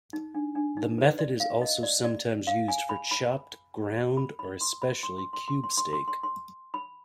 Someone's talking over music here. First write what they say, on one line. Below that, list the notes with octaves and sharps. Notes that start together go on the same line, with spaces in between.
The method is also sometimes used for chopped, ground, or especially cube steak.
D#4
D4
D4
D#4
B4
D5
F5
D#5
D5
D5
F5
G#5
B5
B5
B5
B5
C6
B5
C6
C6
C6
C6
C6
C6
C6
C6
C6
B5